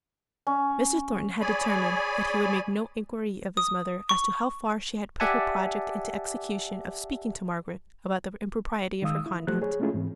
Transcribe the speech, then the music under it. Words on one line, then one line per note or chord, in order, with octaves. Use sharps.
Mr. Thornton had determined that he would make no inquiry of his mother as to how far she had put her project into execution of speaking to Margaret about the impropriety of her conduct.
C#4
G#4 C#5 D5 G#5 B5
D#6
C#6
G4 D5 E5 F#5 G#5 A5
D#3 G#3 F5 D#6 E6
E4
F3 F#3 A3 G4 C5 F#6
G#4 C#5
G#3 A3 C#4 E4 F4 G#4
G#2 E3 C4